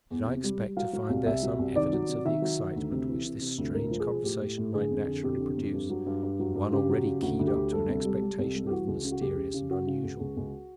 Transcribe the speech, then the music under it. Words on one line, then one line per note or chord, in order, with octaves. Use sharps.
Did I expect to find there some evidence of the excitement which this strange conversation might naturally produce in one already keyed up to an expectation of the mysterious and unusual?
E2
C3
G3
G3
F#3 F5
F#3
C2
C2 E5
F#3
C2
D#3 D5
F#3
C3
D#3 E5
F#3
D#3
D2
C3
E3
C3
C3
D2
A2 A#4
F3
G#4
F3
A2 G4
A2
A2
D3 G#4
F2
D3
F2 G4
D3
F2
G2
F#3
G2
G2
F#3
G2
C#3 G4
F#3
C#3
D2 F#4
D2
G4
D2
G3 A4
C2
G3
G3
C2
G3
G4
E3 F#4
C#2
C#3
F#4
C#2 G4
C#3
C#3
C#3 F#4
C#3
C#2
C#2
C#2